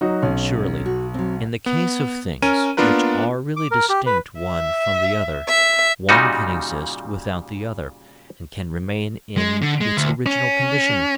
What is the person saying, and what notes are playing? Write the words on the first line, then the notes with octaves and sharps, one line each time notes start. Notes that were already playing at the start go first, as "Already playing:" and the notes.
Surely in the case of things, which are really distinct one from the other, one can exist without the other, and can remain in its original condition.
F#3 D#4 F#4
B1 C4 C#4
F#4
F#3 C4
B3
C#4 A#4 D#7
A#3 B3 D4 F4 A#4 B4
D6
A#4
G4
B4
E5
E5
A#2 C#3 G3 D#4 F#4
G#3
D3
G#3
D2
C#4